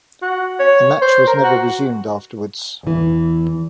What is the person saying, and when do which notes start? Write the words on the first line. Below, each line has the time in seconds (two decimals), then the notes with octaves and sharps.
The match was never resumed afterwards.
0.22 F#4
0.59 C#5
1.02 C5
1.27 A#4
1.43 F#4
2.83 E2 E3